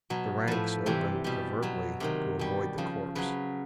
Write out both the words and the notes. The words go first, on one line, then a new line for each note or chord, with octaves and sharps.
The ranks opened covertly to avoid the corpse.
B2 F#3
A2 F3 B4
C3 E3 G3
B2 G3
B2 F#3
C3 D#3 F#3
B2 G3
C#3 F3
C#3 F#3 B4